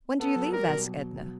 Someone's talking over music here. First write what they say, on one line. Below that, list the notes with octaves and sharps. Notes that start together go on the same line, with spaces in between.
"When do you leave?" asked Edna.
B3 A4
F#3
G3 A#4
B2
F#3